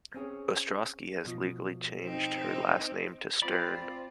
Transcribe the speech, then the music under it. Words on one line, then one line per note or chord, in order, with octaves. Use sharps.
Ostrosky has legally changed her last name to Stern.
C4 C#4 G#4
B2 F3
C4 D#4
C4 F4 D5 B5 D6